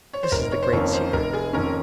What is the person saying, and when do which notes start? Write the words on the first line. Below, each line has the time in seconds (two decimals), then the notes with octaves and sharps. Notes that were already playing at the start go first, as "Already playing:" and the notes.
This is the great secret.
0.13 C#5
0.23 C5
0.32 F1 A#4
0.52 C#5
0.63 C5
0.73 F2 D#3 A#3 C#4 C#5
0.93 C5
1.13 F1 A#4
1.33 G#4
1.53 F2 D#3 A#3 C#4 A#4